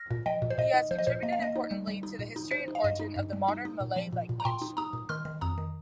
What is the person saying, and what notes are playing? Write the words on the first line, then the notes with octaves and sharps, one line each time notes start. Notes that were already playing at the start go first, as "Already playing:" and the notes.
He has contributed importantly to the history and origin of the modern Malay language.
Already playing: F6 A#6
A#2
F3 D#5 G5
A#2
C5
A#2 D#5
D#4
F3 C5
D#5
A#2 C5
A#3 D#5
F5
A#3 D#5
D#4
G3
G3
D#4
A#2
D#4
D#4 C5
D#4
F5
G2 D#5
D#4
G2
G3
D#4
D#4
A#2
F3
A#2
A#2
A#5
A#2 G5 C6
D#4
D#4 A#5 D#6
A#2
D#3 C6 F6
D#3
F2 A#5 D#6
D#3